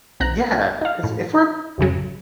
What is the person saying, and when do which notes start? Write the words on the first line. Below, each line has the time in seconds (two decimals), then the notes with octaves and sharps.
Yeah, 'cause if we’re
0.20 B1 C4 A#5 F#6
0.81 D#4 F5
1.03 A2
1.78 A1 F2 C#3 F#3